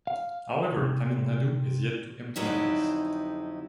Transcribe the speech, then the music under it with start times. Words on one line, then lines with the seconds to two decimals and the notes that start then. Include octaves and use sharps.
However Tamil Nadu is yet to implement this.
0.07 F5
0.77 C3
2.36 F2 D3 F#3 D#4 E4 G4